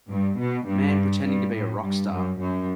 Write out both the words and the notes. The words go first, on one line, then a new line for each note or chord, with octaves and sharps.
Man pretending to be a rock star.
G2
B2
G2
G2
A2
G2
F#2
F#2